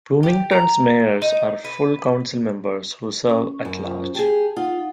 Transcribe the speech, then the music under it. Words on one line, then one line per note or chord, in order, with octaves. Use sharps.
Bloomington's mayors are full councilmembers who serve at large.
G4
A#5
D#4
B4
C#4 C#6
F#2
C#4 F4 C5
G4 G#4 A5
D#4 F4 F#5